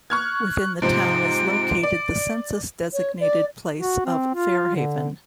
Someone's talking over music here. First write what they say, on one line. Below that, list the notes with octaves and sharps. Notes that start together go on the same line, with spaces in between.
Within the town is located the census-designated place of Fair Haven.
C#6 F6 F#6 G#6
G#2 C3 F3 D7
D5
C#5
D5
F#4
C4
F4
D3